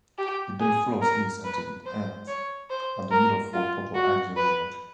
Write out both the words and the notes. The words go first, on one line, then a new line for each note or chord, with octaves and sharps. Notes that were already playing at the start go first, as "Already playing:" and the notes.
It then flows east until its end at the Middle Fork Popo Agie River.
G4
G#4
A#4
B4
C5
C#5
C5
A#4
F4
F#4
B4